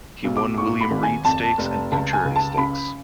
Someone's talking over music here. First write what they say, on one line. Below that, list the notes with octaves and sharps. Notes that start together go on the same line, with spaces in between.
He won William Reid Stakes and Futurity Stakes.
B1
D6
G#2 C#6
B5
G#1
G#5
F2 A5
F1
C#2 A5
G#5
C#2
A5
C#3 B5